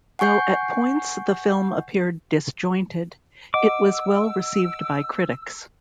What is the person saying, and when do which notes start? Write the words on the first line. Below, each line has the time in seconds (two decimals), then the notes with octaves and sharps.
Though at points the film appeared disjointed, it was well received by critics.
0.19 F#5 G#5 C#6 G6 C7
3.54 D#5 F#5 D6 E6